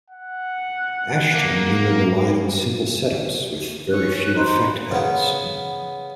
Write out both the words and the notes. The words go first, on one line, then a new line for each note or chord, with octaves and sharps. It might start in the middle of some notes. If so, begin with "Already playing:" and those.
Asheton mainly relied on simple setups with very few effect pedals.
F#5
A#3
C#4 C#6 F#6
D#4 C5 B5
C#3 B3